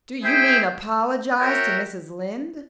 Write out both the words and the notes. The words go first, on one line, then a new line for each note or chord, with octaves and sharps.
"Do you mean apologize to Mrs. Lynde?"
E4 G#4 C5 E5 G5
F#4 A#4 C#5 E5 G5